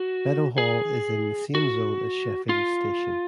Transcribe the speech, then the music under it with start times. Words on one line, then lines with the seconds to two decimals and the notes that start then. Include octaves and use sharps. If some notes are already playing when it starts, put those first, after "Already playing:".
Meadowhall is in the same zone as Sheffield station.
Already playing: F#4
0.58 G#4
1.55 F#4
2.49 F4